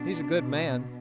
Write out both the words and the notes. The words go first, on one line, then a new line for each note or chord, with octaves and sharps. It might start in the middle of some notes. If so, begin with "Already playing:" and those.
He's a good man.
Already playing: B2 D4
B2